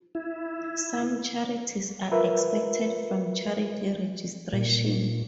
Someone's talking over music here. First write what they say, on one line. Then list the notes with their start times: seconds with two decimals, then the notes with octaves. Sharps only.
Some charities are 'excepted' from charity registration.
0.15 E4
2.11 F4 A#4 B4 E5
4.53 A#2